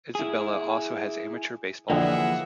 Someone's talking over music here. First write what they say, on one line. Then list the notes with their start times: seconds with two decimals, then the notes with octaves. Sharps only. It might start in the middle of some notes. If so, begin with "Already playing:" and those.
Isabela also has amateur baseball teams.
0.15 E4 G#4
1.90 F2 D3 E3 F3 A#3 G#4 E5 F#5